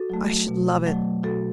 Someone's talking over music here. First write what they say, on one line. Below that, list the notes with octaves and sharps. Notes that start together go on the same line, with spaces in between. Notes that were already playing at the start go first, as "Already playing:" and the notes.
"I should love it."
Already playing: F#4 A4
F#3 A3
B2
F#3 A3
B2 F#4 A4